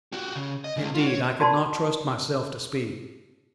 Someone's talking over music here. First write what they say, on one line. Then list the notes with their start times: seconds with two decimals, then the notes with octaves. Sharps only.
Indeed, I could not trust myself to speak.
0.12 F#4 G4
0.36 C#3
0.64 D#5
0.76 C#3 G#3
0.94 F4 F#5
1.07 C#5
1.40 F#4 D5 A5 B5 C6